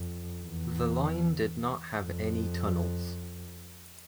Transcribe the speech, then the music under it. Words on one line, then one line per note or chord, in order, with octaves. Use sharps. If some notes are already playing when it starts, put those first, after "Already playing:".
The line did not have any tunnels.
Already playing: F2
E2
F2